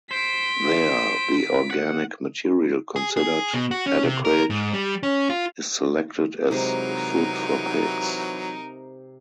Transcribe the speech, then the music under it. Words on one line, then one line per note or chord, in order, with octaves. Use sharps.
There, the organic material considered adequate is selected as food for pigs.
C5 B6 D7
F#5
G#4
G#4
B2
F#4
C#4
C3
A#4
G#2
G3
C#4
F4
C3 E3 F#3 G#3 D#4 A#4